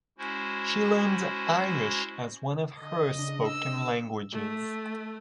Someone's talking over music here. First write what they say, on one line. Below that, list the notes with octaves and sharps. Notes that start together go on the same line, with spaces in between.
She learned Irish as one of her spoken languages.
G#3 C#4 E4 F#4 C5
D3 D#5
C#3 D4
E6
A3